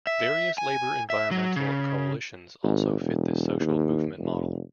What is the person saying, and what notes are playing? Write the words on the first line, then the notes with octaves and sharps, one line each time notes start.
Various labour-environmental coalitions also fit this social movement model.
E5
G#5
E5
F#3
C#3
G#1
E1
D#2
F1